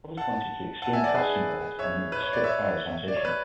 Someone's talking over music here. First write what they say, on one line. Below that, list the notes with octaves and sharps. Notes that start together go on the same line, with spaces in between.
Others pointed to the extreme costs involved and the need for strict prioritisation.
F#5 A5
F#5 A5
E5 G#5
D5 F#5
G#4 B4
C#5 E5
B4
C#5
D5
C#5 E5
D5
C#5
B4